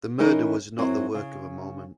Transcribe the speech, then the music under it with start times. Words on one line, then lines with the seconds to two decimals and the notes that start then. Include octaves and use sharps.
The murder was not the work of a moment.
0.19 E3 C#4 D#4 A#4
0.78 F#2 F#3 C4 E4
1.14 C#3